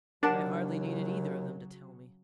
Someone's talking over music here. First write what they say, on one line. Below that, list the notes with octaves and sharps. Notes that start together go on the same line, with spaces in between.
But I hardly needed either of them to tell me.
D#2 C#3 F#3 D4 A#4 F#5 A5